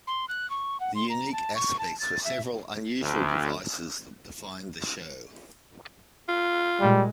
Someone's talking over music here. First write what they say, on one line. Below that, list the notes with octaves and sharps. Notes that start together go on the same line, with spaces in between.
The unique aspects were several unusual devices that defined the show.
C6
F#6
C#6
F#5
C6
A#5
A5
C#6
A5
A6
E5
D2
F4
A#2 G3 G#3